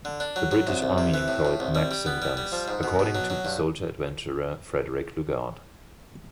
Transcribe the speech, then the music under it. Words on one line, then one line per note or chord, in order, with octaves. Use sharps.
The British army employed Maxim guns, according to the soldier-adventurer Frederick Lugard.
D3
D4
F#3
F#3
C2
C2
C3
E3
A2
A2
C2
G3
G3
B3
G3
G3
F3
G#2
B2
B2
F#3
F#3
G2